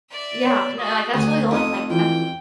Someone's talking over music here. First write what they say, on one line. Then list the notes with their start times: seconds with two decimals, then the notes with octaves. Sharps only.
Yeah, and then, like, that's really the only, like that's
0.10 D5 E5
0.44 B3 C#5
0.78 F#4 G#4 D#6
1.14 D2 F#5 G#5
1.51 F2 A3 D#4 A4 D#6
1.90 E3 F3 F4 G5